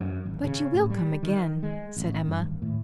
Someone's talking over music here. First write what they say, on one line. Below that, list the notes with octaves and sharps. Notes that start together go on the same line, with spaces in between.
"But you will come again," said Emma.
F#2
G#1
C#3
A2
G3
D#3
G#3
A1
G2
D#2
A2